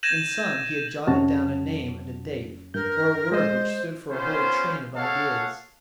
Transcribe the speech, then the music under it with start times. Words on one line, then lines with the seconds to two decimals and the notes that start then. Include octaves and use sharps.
In some he had jotted down a name and a date, or a word which stood for a whole train of ideas.
0.03 G6 G#6 A#6 D#7 E7 F#7
1.07 F2 C3 F#3 C#4 F#4 A5
2.74 G2 A#4 G6
3.32 G#3 C5 D#5
4.11 B3 C#4 F4 C5
4.96 G#4 A4 C#5 F5 F#5 A5